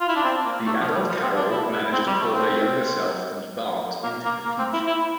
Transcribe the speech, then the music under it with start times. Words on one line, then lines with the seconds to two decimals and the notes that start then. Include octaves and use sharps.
The adult Carol managed to pull her younger self and Bart into the future.
0.01 F4
0.09 E4
0.16 D4
0.24 C4
0.45 A#3
0.66 A3
0.81 F3
0.95 G3
1.09 F3
1.23 C4
1.36 D4
1.50 E4
1.72 E4
1.93 C4
2.07 G3
2.21 A3
2.34 C4
4.03 A#3
4.24 A#3
4.46 A#3
4.59 C4
4.73 E4
4.87 E4